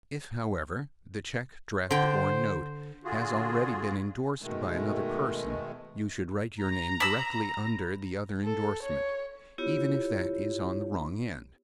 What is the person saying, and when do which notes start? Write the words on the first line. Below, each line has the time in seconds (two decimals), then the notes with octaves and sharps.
If, however, the check, draft or note has already been indorsed by another person, you should write your name directly under the other indorsement, even if that is on the wrong end.
1.91 D3 C5 G5
3.04 D3 F4 F#4 G#4
4.42 B2 D#3 G#3 A3
6.60 A#5
7.00 B5 E6
8.44 A4
8.83 C#5
9.58 B3 E4 F4 G4 C#5